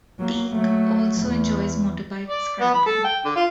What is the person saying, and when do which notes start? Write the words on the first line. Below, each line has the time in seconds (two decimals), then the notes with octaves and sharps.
Teague also enjoys motorbike scrambling.
0.19 F#3 A#3
0.53 F#3 A3
1.22 E2
2.28 D5
2.61 B3
2.74 B5
2.86 A4
3.04 G5
3.25 D3
3.36 F4